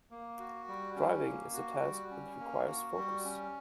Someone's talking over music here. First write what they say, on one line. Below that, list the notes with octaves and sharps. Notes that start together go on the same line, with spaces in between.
Driving is a task that requires focus.
A#3
F#4
G3
C#4
A#3
F#4
G3
C#4
A#3
F#4
G3
C#4